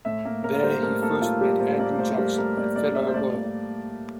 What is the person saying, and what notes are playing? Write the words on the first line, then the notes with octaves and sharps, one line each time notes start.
There, he first met Andrew Jackson, a fellow lawyer.
A2 E5
A#3
A2 A#4
A#4
G3 C5
A2 A#4
A#3 A4
A2 F4
G3 G4
A2 C5
A#3 D5
A2 C5
G3 A#4
A2 A#4
A#3 D5
A2 D5
G3 E5
C5
A2 D5
A#3